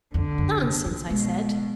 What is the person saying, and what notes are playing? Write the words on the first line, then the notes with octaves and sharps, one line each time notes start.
"Nonsense!" I said.
F2 D3
F#2
C3
F#3
B2 G#3